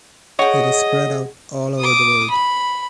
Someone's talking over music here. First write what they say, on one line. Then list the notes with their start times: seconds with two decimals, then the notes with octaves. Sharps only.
It is spread out all over the world.
0.39 G#4 C#5 D#5 F#5 G5
1.79 D6 D#6
2.30 B5